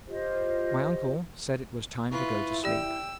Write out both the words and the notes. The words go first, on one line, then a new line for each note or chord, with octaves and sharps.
My uncle said it was time to go to sleep.
F4 G4 C5 D#5
E4 F4 B4 C#6
G4 D5 G5 E6